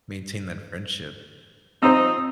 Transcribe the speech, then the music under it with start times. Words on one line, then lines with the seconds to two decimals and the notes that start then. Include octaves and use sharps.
maintain that friendship.
1.83 F3 C4 D#4 C5 A#5 D#6 E6